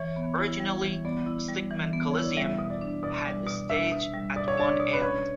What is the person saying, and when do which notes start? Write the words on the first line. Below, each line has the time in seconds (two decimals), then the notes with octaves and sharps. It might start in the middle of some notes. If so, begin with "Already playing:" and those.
Originally, Stegeman Coliseum had a stage at one end.
Already playing: E3 C#5
0.16 B3
0.38 E4
0.60 G3
0.82 E3
1.05 B3 D5
1.26 E4
1.48 G3
1.70 E3
1.93 B3
2.11 E4 C#5
2.24 D5
2.37 G3 E5
2.59 B2
2.70 D5
2.81 D4
3.03 B2 D5
3.25 G3
3.47 B2
3.70 D4 E5
3.91 B2
4.13 G3
4.36 B2 D5
4.48 C#5
4.58 D4 D5
4.80 B2
4.93 B4
5.02 C#4 C#5